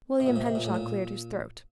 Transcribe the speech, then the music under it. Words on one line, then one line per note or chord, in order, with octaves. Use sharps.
William Henshaw cleared his throat.
C3
A#2
C3
C3
A#2
A2
A#2